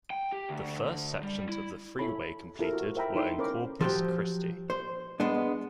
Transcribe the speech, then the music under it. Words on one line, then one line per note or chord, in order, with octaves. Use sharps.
The first sections of the freeway completed were in Corpus Christi.
G5
G4
D2
G3
E4
E4 A4 C#5 B5
E4 F4 G4 A4 A#4 C5
F#4
A#4 C5 E5 G5 A#5 B5
D#4 E4 A4 G5 C6
C#4 A#4 C5 D5 B5 D6
F3 F#3 G4
C5
G#3 B3 D4